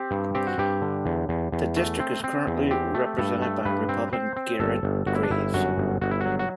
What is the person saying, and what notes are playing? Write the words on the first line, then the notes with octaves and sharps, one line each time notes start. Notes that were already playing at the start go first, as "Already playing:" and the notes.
The district is currently represented by Republican Garret Graves.
Already playing: C4 G4
G2
C4 G4
F#4
G2 G4
D3
E2
E2
E2
A3
C4
C4
E2
C4 G4
A3
G2 A4
A3
G2 B4
C4
C4 C5
C4
G1 A4
G1
G1 F#4
E4
D4
G1 E4
F#2 F#4
G1
G1 F#4
E4
F#3 F#4
F#4